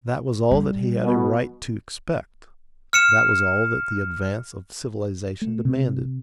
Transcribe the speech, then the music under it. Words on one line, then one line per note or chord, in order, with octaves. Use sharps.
That was all that he had a right to expect; that was all that the advance of civilization demanded.
G3
B2
F6 C#7 E7
A3
C3